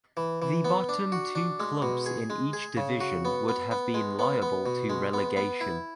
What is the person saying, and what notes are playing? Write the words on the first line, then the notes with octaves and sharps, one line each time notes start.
The bottom two clubs in each division would have been liable to relegation.
E3
E3
B3
D4
F#4
D4
G#3
B2
G#4
G#3
G#4
C#3
F#4
B3
B3
B3
G#3
B3
B3
B2
G#3
B3
B3
E4